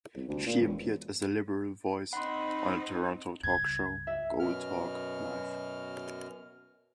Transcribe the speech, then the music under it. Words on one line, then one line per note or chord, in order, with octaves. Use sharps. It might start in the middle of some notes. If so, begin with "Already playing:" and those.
She appeared as the Liberal voice on a Toronto Talk Show, Goldhawk Live!
C2
D2
A#2
E1
C4 D#4 F#5 B5 C6
C#2 G2 G#6
E5
F#2 B2 F6